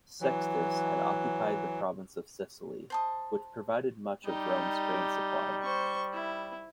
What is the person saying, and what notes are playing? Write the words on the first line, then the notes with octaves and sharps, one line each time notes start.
Sextus had occupied the province of Sicily, which provided much of Rome's grain supply.
E3 F#3
C5 A5 D#6
G3 D#4 G4
C5 C#6
E4